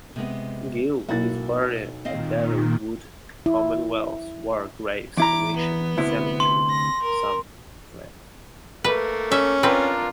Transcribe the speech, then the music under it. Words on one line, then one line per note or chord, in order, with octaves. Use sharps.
Gill is buried at Delville Wood Commonwealth War Graves Commission Cemetery, Somme, France.
C3 G#3 B3
B1 A#3 E4 F#4 A6
A#2 D#3 C4 D#5 F5
E4
E2 E4 A#5 D6
B3
D2 C3 E4
C6
A#6
A#4
A3 A#3 B4
C#4 E5
C4 D4 F4 A#4 B4